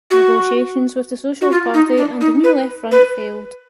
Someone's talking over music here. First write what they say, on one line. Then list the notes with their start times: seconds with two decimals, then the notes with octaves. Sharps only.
Negotiations with the Socialist Party and the new Left Front failed.
0.11 F#4
1.41 F#4
1.51 F4
1.74 D#4
1.97 D4
2.21 D#4
2.44 B4
2.91 B4